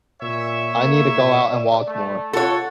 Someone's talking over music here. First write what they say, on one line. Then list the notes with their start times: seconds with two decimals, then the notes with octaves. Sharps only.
I need to go out and walk more.
0.22 A#2 C#5 E5
0.76 A#3
1.13 A#2
1.49 D5
1.86 A3
2.33 F4 A4 C#5 F#5